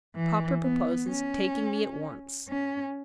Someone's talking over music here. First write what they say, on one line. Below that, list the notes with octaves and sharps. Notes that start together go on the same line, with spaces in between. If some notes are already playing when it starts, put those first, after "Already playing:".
"Papa proposes taking me at once."
E3
B3
C#4
C#4